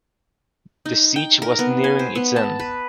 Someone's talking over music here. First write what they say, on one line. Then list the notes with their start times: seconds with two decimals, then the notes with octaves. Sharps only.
The siege was nearing its end.
0.86 D#4
1.16 G5
1.42 A#4
1.59 B3
1.84 G#5
1.99 C5
2.15 B3
2.36 A5
2.59 B4